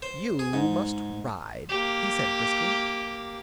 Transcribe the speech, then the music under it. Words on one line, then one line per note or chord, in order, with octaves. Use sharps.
"You must ride," he said, briskly.
C5
G#4
G#2
A#3 G4